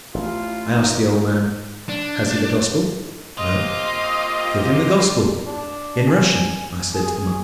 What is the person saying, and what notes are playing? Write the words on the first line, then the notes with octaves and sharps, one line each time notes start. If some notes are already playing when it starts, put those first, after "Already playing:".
I asked the old man, "Has he the Gospel?" "No." "Give him the Gospel in Russian," I said to the monk.
A1 F4
D#4
D4
A#3 C4 F4 G4 D#5 D#6
D4
G#5
G#4